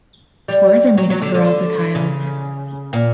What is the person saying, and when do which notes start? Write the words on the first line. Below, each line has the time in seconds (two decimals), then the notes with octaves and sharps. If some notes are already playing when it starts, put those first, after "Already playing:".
The floors are made of terrazzo tiles.
0.48 G3
0.98 F#3
1.10 F#3
1.22 D3
1.34 D3
1.95 C#3
2.93 A#2